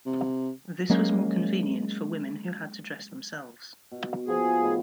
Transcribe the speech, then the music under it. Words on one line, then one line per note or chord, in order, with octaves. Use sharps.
This was more convenient for women who had to dress themselves.
C3
F#3 G#3 A#3 C#4
B2
F3 B3 G#4
A2 D#3 B5